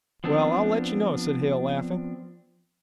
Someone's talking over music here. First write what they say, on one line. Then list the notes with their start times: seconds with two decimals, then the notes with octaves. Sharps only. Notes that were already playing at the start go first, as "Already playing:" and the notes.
"Well, I'll let you know," said Hale laughing.
0.24 F3 B3 C4 D4